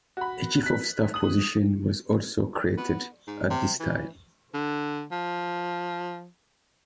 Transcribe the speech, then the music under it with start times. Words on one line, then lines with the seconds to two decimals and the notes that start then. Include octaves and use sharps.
A chief of staff position was also created at this time.
0.17 F#4 B5
0.63 F#6 B6
1.14 D#6 F#7
2.78 B3
3.27 G#2
3.50 C3
3.80 E3
4.54 D3
5.12 F3